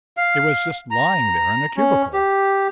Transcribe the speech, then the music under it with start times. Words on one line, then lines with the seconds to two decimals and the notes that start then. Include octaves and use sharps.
It was just lying there in a cubicle.
0.17 F5
0.91 A#5
1.76 C#4
2.13 G4